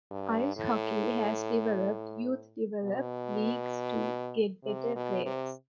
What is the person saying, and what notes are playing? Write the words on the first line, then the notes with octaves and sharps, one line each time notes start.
Ice Hockey has developed youth developed leagues to get better players.
G2
A2
B2
C3
B2
C3